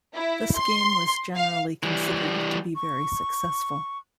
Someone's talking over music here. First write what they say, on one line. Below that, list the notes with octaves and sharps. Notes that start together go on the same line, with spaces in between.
The scheme was generally considered to be very successful.
E4
C6
F5
E3 G3
C#6